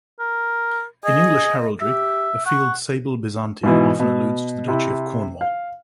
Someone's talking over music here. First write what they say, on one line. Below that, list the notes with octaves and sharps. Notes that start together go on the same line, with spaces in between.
In English heraldry, a field "sable bezanty" often alludes to the Duchy of Cornwall.
A#4
G#4 D#5
G4 E5
F#5 C#6
G#2 B2 E3
B2
C3 E4
F5